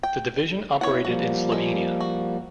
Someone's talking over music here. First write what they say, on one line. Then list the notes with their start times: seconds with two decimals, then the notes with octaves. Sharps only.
The division operated in Slovenia.
0.03 G5
0.81 B3 E4 C#5 F#5
1.05 F3 G3 A#3 F#4
1.52 G#3
2.00 F#4